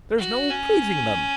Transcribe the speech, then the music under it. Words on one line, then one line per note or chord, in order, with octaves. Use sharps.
There's no pleasing them!'
F#4
C#4